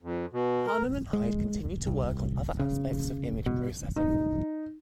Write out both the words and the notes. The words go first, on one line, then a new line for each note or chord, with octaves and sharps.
Parnham and Hyde continued to work on other aspects of image processing.
F2
B2
A#4
G#3
C2
C#3
B2
D#4